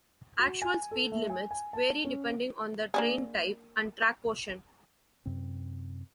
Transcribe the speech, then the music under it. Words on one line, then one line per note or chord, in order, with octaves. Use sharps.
Actual speed limits vary depending on the train type and track portion.
F#4
G#5
A4
A3
G#5
G#5
A5
C#4
A#3 D4 G#4
F#2 C3 C4